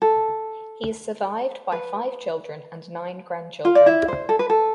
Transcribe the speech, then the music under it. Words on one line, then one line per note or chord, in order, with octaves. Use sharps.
He is survived by five children and nine grandchildren.
A4
B4
F4 F5
D5
E4 E5
C5
A4
B4
A4